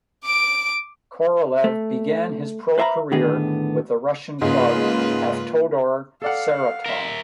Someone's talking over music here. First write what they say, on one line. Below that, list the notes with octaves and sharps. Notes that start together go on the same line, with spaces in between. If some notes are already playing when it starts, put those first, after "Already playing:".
Korolev began his pro career with the Russian club Avtodor Saratov.
D6 D7
A3
B4 C5 E5 F5 A#5 B5
A2 D3 D#3 B3 G#4
G#2 C#3 G#3 A#3 F4 B4
A4 D5 F5 F#5
A#4 E5